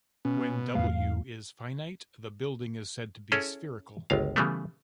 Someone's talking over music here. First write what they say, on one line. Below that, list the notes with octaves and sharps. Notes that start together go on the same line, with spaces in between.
When "W" is finite, the building is said to be spherical.
B2 C#4
E2 G#2 A3 F5
C#4 E4 G#4 A4 C#5
G1 C#2 F5
C#3 E3 G3 A3 B3